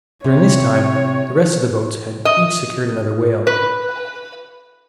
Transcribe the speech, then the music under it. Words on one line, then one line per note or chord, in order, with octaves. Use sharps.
During this time the rest of the boats had each secured another whale.
C3 C#5
D#5
B4